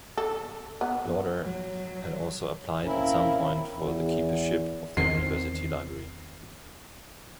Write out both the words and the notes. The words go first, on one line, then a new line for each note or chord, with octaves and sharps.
Lauder had also applied at some point for the keepership of the university library.
A4
B3
F#3
A#3 C4 C#4 E4 A#4
E2
E2 D#3 C4 C7